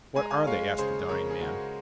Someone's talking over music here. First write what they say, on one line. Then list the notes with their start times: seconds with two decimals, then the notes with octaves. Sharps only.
"What are they?" asked the dying man.
0.15 G#3 G#5
0.22 A#5
0.30 F5 G#5
0.47 G#3 C#5 F5
0.78 C#3 G#4 C5
1.09 C#3 A#4 C#5
1.30 G#4
1.40 G#3 F#4 A#4